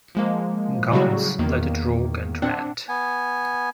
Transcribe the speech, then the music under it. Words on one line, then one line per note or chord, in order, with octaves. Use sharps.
Guns, Let It Rawk, and Ratt.
F3 G#3 A#3
A2 C#3 F#3 G3 F#4
E2 D#3 A#3
C4 D4 F#5
B3 G#5